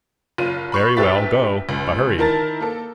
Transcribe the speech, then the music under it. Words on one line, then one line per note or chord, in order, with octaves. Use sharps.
"Very well, go; but hurry."
F#1 F4 D#7
B5 C#6 C7
A#1 G4 B4 E5 A6 B6
C#2
D#3 E4 A#4 A5 A6
A#3 A4